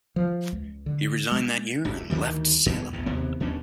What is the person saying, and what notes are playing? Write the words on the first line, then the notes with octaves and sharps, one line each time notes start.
He resigned that year and left Salem.
F3
C#2
D3
G#3
D1 G1 C#2
D2 D#3 E3 G3
E2 B2 G#3
A#1 E2 A2
F#1 D#2 C3 B3
D#2 B2 C#4 D4